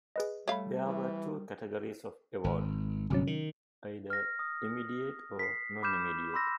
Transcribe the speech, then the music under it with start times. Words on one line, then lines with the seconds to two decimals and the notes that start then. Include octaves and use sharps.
There were two categories of award, either "Immediate" or "Non-Immediate".
0.16 G#4 B4 D#5
0.48 G3 A3 C#5 F5 B5
0.85 E3
2.44 G#1
3.10 G1 C3 F#3 C#4
3.27 D#3
4.10 F6 A#6
4.39 D#6
5.39 B6 C7
5.83 B5 D6 F6 G6 E7
6.34 B5 C6 E6 A#6